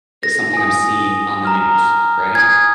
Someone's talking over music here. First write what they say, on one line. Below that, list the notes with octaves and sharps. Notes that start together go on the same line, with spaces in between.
it's something I'm seeing on the news, right?
A#6
G#5 D#6
A#5 F6
G#5 D#6 G#6